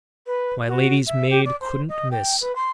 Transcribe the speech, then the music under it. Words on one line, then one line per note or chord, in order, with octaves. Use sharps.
My lady's maid couldn't miss.
B4
F#4
E5
G4
D5
C5
D#5
G5
B4
C6